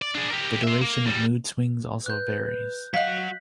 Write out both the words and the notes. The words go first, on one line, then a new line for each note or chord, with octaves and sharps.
The duration of mood swings also varies.
D5
D4 G#4
G4 A#4
C5 E5
A#3
E2 G3
B4 F#6 G6
F#3 D#5 F5 F#5 F#6 B6